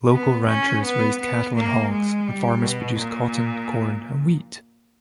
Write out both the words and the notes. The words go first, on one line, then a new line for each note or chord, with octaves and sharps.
Local ranchers raised cattle and hogs, and farmers produced cotton, corn, and wheat.
B3
C#4
B3
B3
A#3
G#3
G3
B2
A#2